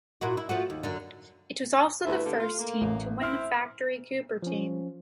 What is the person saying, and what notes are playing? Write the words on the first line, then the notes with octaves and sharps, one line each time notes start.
It was also the first win for the factory Cooper team.
A#2 E4 F#4
E4
F3 A3 F#4
D#2
F#2 D3
D2 G2 E4 B4 E5
D3 G3 A3 A#3
F4
A#3
A1
C4 E4 E5 F6
F3 C#4